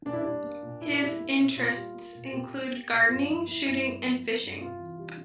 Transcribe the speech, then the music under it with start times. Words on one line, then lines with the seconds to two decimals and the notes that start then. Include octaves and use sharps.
His interests include gardening, shooting and fishing.
0.05 A#2 D4
0.13 E4
0.21 G3 D4
0.44 A#3
0.63 A#2
0.82 A#2 E4
0.93 D4
1.01 G3 E4
1.19 A#3
1.38 A#2
1.57 A#2 F4
1.76 G3
1.94 A#3
2.15 A#2
2.32 A#2 G4
2.53 G3
2.70 A#3
2.90 A#2
3.08 G2 F4
3.28 F3 E4
3.47 A#3 E4
3.65 G2 E4
3.84 G2
4.04 F3
4.23 A#3
4.42 G2
4.61 C3 F4
4.79 E3
4.98 G3